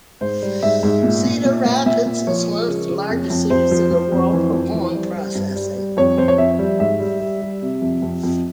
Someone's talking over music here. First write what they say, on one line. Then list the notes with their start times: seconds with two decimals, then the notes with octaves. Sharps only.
Cedar Rapids is one of the largest cities in the world for corn processing.
0.21 G#2 C5
0.42 G3
0.63 G#2 E5
0.83 G#2
1.03 A#2
1.24 A#2
1.45 A#2
1.65 A#2
1.86 A#2 E5
2.06 A#2
2.27 F3 C#5
2.48 G#3
2.68 C#3
2.89 C#3
3.09 F2
3.30 F2
3.50 F2 C5
3.71 F3
3.91 F3
4.12 F2
4.33 E3
4.53 F2
4.74 E3
4.95 G3
5.14 G3
5.35 G2
5.56 G3
5.77 G3
5.97 F2 C#5
6.18 F2 C5
6.28 C#5
6.38 F2 E5
6.59 G3
6.79 G#2 E5
7.00 G3
7.20 G3
7.42 G3
7.62 C3
7.82 F2
8.02 F2
8.23 F2